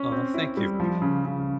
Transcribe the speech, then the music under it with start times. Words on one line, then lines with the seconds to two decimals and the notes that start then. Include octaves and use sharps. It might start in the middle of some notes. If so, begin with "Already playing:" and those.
Aw, thank you for that.
Already playing: C#4
0.12 C4
0.34 E4
0.57 G3
0.80 F3
1.02 C#3
1.25 C#3